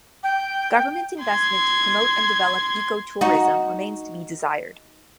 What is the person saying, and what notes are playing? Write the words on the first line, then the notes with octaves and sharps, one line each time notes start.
Government investment to promote and to develop eco-tourism remains to be desired.
G5
C6 G#6
D#4 F#4